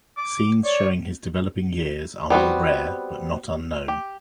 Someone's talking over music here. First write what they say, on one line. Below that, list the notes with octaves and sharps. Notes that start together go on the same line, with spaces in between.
Scenes showing his developing years are more rare but not unknown.
D6
C#5 D5
G3 B3 C4 F#4
G4